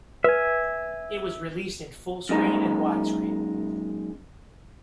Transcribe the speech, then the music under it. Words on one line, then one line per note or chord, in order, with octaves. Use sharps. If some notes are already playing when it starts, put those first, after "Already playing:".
It was released in Full Screen and Widescreen.
B4 E5 G#5
F#2 A#2 G#3 D#4